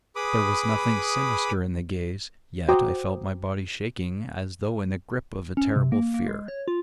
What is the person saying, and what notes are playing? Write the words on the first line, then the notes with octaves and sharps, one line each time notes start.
There was nothing sinister in the gaze, yet I felt my body shaking as though in the grip of a terrible fear.
G#4 B4 B5 D6 D#6
F#4 C5 G5 A#5 D6 D#6
C#4
C3
A#3
A#3
G#3
C#5
F4